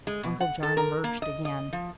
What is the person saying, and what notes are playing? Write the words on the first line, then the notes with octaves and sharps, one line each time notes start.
Uncle John emerged again.
G#3
B2
F#5
A4
A#4
A#3
D#5
D#5
F3